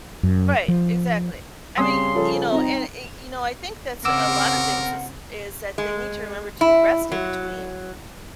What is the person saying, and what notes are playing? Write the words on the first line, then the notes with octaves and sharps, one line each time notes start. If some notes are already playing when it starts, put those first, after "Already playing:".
Right, exactly. I mean, y you know, and, y you know, I think that's a lotta things is is that they need to remember to rest in between,
F#2
F3
C#3 G3 C4 G#5 C6 D#6
F3 A4 C#5
C4 D#4 A#5
C#3 C4 A#4 F#5 D6 E6
G#3
E4
F#3